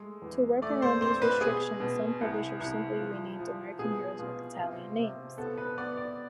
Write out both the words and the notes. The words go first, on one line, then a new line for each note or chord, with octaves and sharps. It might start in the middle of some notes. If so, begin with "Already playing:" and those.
To work around these restrictions, some publishers simply renamed American heroes with Italian names.
Already playing: G#3 A3
E2
A3 D5
C5
C4 C5
B4
B2 G#4
B2
C2
C2
F3
F3
B2 G#4
B2 F4
C3 F4
C3
B3 A4
B4
B3 D5
D5